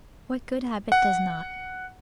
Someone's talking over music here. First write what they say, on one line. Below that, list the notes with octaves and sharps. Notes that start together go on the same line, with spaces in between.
What good habit does not?
F#5